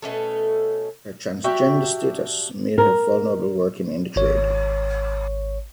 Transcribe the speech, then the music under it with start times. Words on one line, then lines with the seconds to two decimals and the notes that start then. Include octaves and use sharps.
Her transgender status made her vulnerable working in the trade.
0.02 B2 A3 C#4 A4
1.44 D4 F#4 G4 E5
2.78 A#4
4.16 G#1 C#5